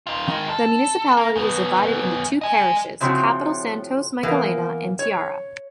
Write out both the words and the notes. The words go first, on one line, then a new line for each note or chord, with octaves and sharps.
The municipality is divided into two parishes: Capital Santos Michelena and Tiara.
D#4 F4
D#3 G#3
A4
A#3
F#2 B3
D#5 G#5
A2 C#3 F3 C4 F#4
E3 A#3 B3
C#5